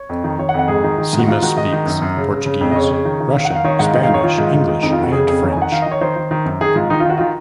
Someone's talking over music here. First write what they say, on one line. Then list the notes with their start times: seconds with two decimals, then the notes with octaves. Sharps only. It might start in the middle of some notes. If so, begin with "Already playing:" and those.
Simas speaks Portuguese, Russian, Spanish, English and French.
Already playing: C#5
0.09 F2
0.24 D#3
0.39 D#3 C#5
0.49 F#5
0.54 F2
0.59 F#5
0.68 G#2 G#4
0.84 D#3
0.98 D#3
1.13 G#2
1.19 F#4
1.28 G#2 F4
1.42 D#3 F#4
1.57 G#2 D#5
1.73 D#3
1.87 F#2
2.02 F#2
2.17 C#3
2.31 C#3
2.46 C#3
2.61 F2
2.71 D#5
2.75 C#3 C#5
2.90 C#3
3.05 D#3
3.20 D#3
3.35 D#3 F5
3.45 F#5
3.50 D#3 F5
3.64 D#3 C#5
3.79 G#2 F#5
3.85 F5
3.94 D#3 D#5
4.03 F5
4.09 D#3
4.14 C#5
4.23 D#3 F4
4.38 G#2
4.53 G#2
4.68 D#3
4.83 F2 D#4
4.93 F4
4.98 F2 F#4
5.12 C#3 G#4
5.27 F2 G#4
5.42 D#3 C#5
5.53 G#5
5.57 D#3 F#5
5.72 D#3 F5
5.82 D#5
5.86 D#3
5.91 C#5
6.01 D#3 C5
6.16 D#3
6.31 D#3
6.45 F#2
6.61 D#3 G#4
6.76 G#2 F4
6.90 D#3 D#4
7.00 F4
7.05 D#3 F#4
7.18 D#3 F4